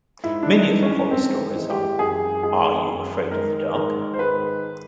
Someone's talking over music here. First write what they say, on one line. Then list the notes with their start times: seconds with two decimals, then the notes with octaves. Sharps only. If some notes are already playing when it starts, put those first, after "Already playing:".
Many of the horror stories on Are You Afraid of the Dark?
0.24 G#2 E4
0.43 D4
0.53 D#4
0.68 E3 G#3
0.83 C#4
1.11 G#2 C4
1.55 E3 G#3
1.70 G4
1.99 F#2 G#4
2.43 D#3 G#3 G#4
2.87 F#2
3.31 D#3 G#3 A#4
3.75 G#2 A#4
4.14 C5
4.18 D#3 G#3 B4